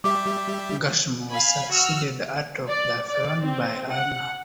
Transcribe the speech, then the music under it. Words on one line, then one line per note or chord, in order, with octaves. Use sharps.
Gersem was succeeded atop the throne by Armah.
G3 G4 E5 D6
F5 G#5 B5
F#4 E6 F6
D5
D5
C4
F#5